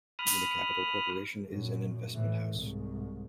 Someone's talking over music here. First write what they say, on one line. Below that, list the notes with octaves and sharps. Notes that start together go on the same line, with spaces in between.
UniCapital Corporation is an investment house.
B5 D#6 F6
F#2 A#2
A2 E3
C2 G#2